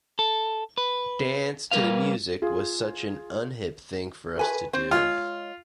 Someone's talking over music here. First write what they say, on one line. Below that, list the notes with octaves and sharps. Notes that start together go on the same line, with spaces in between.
'Dance to the Music' was such an unhip thing for us to do.
A4
B4
G3 A#4 B4 F5
F4 G#4
B4 G#5
C4 C5
G#3 F4 C#5